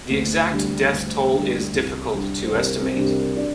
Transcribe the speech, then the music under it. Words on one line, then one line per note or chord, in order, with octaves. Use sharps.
The exact death toll is difficult to estimate.
D2
D3 G3
D2
D3 G3
C2
C3 G3 D4
C5
C2 A#4
C4 C5
C3 G3 D4
A#4
D4 D5